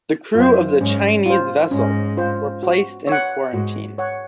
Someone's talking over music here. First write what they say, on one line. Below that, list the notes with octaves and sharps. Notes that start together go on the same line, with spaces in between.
The crew of the Chinese vessel were placed in quarantine.
F#2 F4 C5
G#2 C#4
F4 C5
G#2 C#4
F4 C5
F#4
C#5 F#5
G#2 F#4
C#5 F#5